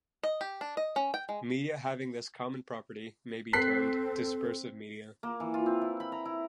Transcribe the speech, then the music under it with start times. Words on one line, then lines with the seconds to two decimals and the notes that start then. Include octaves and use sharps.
Media having this common property may be termed "dispersive media".
0.23 D#5
0.41 G4
0.61 D4
0.77 D#5
0.96 C#4
1.14 G5
1.29 G#3
3.53 C4 A4 F#6 B6 C7
5.23 A#3
5.40 E3
5.54 F4
5.66 C4
5.82 E4
6.00 B5
6.12 A#5
6.25 E4